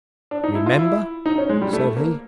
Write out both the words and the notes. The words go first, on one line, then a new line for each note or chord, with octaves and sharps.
"Remember!" said he.
D4
D#4
E4
F4
E4
D#4
C#4
G#3
G3
A3
A#3